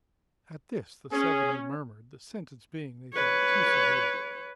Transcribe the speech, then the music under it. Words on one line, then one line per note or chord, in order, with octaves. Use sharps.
At this the seventy murmured, the sentence being, they thought, too severe.
C#4 G#4
B4 C#5